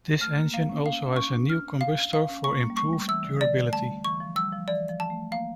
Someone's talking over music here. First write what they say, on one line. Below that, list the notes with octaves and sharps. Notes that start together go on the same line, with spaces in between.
This engine also had a new combustor for improved durability.
A3 F6
A#3
A#3 F5
C#4
A#3 F5
C#4
C#6
D4
F6
F5
F5
C#4
A#3 C#6
A#3
G3
A3 C#6
G3
E3 E6
D3
D5
A3
G3 A5
E3 C#6
F3
G3 E6
F3
E3 D5
F3
A5
A3
A#3 F5